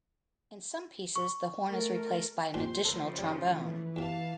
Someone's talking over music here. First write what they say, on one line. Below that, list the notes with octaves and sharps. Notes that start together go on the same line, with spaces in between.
In some pieces, the horn is replaced by an additional trombone.
C#6
A3 A#4
C2 A#2 D#3 C5 C6
C#3 F3 A3 A4 A#4
G3
E3
E2 C3 F5 A5